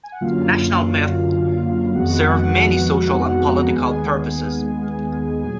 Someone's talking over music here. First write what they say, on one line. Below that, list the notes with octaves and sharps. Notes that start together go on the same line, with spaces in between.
National myths serve many social and political purposes.
G#5
F#5
F#2 D3 F#3 A#3 F4 F5
F2 D#3 G#3 B3 F#4 F#5
A#5
D#2 D#3 G#3 B3 G#4 G#5
A#2 F#3 G#4 G#5